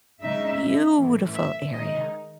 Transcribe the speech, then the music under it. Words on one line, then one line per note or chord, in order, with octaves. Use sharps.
Beautiful area.
C#3 G#3 D#4 E5
A2 E3 A3
E5
D#3 G#3 D#4 D#5